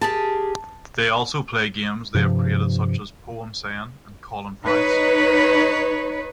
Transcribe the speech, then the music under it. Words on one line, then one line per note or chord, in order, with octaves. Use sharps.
They also play games they have created such as "Poem Sayin" and "Callin Pranks".
G4 G#4 A#4 A5
G2 C3 F3
D#4 B4 C#5